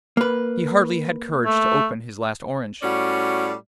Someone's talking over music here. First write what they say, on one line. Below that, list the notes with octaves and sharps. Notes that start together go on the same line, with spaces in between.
He hardly had courage to open his last orange.
A#3 B4
A3
A2 G3 C#4 F#4 D5